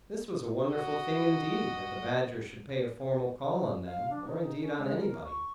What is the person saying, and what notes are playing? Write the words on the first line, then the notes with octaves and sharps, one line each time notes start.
This was a wonderful thing, indeed, that the Badger should pay a formal call on them, or indeed on anybody.
F#4 D#5
F5
D4
D#4
D#4
C#4
G#3
A#4
C#6